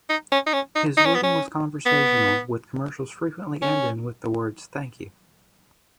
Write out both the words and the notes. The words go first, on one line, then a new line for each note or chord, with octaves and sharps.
His wording was conversational, with commercials frequently ending with the words "Thank You".
D#4
C#4
D#4
C#4
D#4
D#4
C#4
B3
C#4
B3
C#4